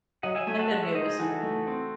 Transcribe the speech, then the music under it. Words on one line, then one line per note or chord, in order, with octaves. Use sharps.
It's, like, the newest one.
F#3 D#5 F#5
E5 G#5
A3 E5 G#5
F#5 A5
G#3 F#5 A5
C#5 E5
D#4 C5 D#5
G#4 C5
E3 F#4 A4
A3
C4